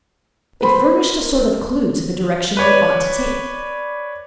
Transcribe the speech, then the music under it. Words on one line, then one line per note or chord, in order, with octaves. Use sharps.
It furnished a sort of clue to the direction they ought to take.
B4 C5 B5 C6
A#4
B4 C#5 D5